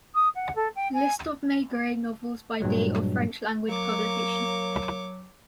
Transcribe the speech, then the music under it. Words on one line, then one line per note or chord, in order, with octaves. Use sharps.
List of Maigret novels by date of French-language publication.
D#6
F#5
A4
G5
G#5
G2 A#2 F#3 G#3
F#3 A#3 C#5 D6